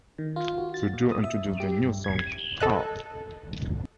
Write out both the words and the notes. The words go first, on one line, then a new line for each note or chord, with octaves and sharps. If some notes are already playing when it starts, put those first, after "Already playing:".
The duo introduced their new song, PoW!
D#3
F4
F#4
A6
A#2
D#6
E5
F#2
G4
G2
G#6
A4 D#5 F#6